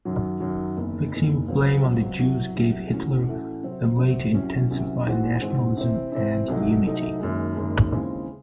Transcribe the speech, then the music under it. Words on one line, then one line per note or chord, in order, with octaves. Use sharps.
Fixing blame on the Jews gave Hitler a way to intensify nationalism and unity.
F#2 D#3 F#3
F#2 D#3 F#3
F#1 E2 D#3
F#1 E2 D#3
C#2 C#3 F#3 C4
C#2 C#3 F#3 C4
C2 C3 F#3
C2 C3 F#3
A2 E3 A3 C#4 F#4
A2 E3 A3 C#4 F#4
C3 F#3 C4
C3 F#3 C4
C2 C3 F#3 C#4
C2 C3 F#3 C#4
G#2 E3 G#3 C4 F#4
G#2 E3 G#3 C4 F#4
C3 E3 C4
C3 E3 C4
C2 C3 F#3 A3 D#4
C2 C3 F#3 A3 D#4
F#1 F#2 D#3 G#3
F#1 F#2 D#3 G#3
D#2 C#3 E3 G#3 C4